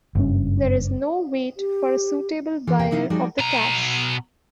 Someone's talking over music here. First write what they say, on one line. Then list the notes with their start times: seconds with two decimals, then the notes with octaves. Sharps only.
There is no wait for a suitable buyer of the cash.
0.15 F#1 G2 C#4
1.57 G4
2.67 E3 F4 A4 A#4
2.79 E2 C3 G4 G5
2.91 C3 F#3 D#4 E4 F5
3.10 F3 G3 D#4 F#4 G#4 D5
3.39 B2 A#5